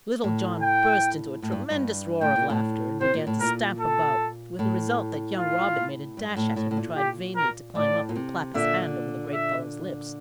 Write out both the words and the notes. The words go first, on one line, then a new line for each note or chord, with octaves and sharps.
Little John burst into a tremendous roar of laughter, and began to stamp about, with the result that young Robin made a dash at him and tried vainly to climb up and clap his hand over the great fellow's lips.
A2
G5
A2
G2
G2
A2 G5
A#2
A2
C3 C5
A#2
A2
A#2 A#4
A4
A2
F4
G2
A2
A2
A2
A#2
G4
A#4
A2 D5
A#2
C3
A#2 D3 E5
E5